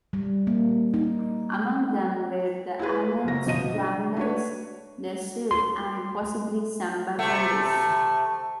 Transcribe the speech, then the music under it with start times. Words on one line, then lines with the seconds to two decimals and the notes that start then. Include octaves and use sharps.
Among them were the Alans, Vandals, the Suevi, and possibly some Burgundians.
0.13 G3
0.47 A#3
0.94 D#4
2.79 E4 F4 G#4 B4
3.24 F#1 F#4 A#6
3.46 G1 B2 F3 D#5 A#6 D#7
3.74 D4
4.17 D4 F#4 B4 C#5
5.51 C6
7.19 C3 A3